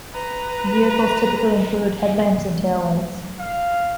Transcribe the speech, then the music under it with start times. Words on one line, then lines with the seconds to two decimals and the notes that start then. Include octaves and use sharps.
Vehicles typically include headlamps and tail lights.
0.13 B4 A#5
3.39 F5